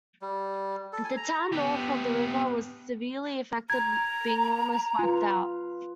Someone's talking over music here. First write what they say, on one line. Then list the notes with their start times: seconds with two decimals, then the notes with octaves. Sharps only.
The town north of the river was severely affected being almost wiped out.
0.22 G3
0.93 A4
1.04 G#5
1.17 A#5
1.53 B3 G4
3.70 A#5 G#6
4.99 F4 B4